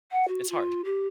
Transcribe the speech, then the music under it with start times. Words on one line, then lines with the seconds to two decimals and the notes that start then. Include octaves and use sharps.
it's hard.
0.11 F#5
0.28 F#4
0.50 F4
0.85 G4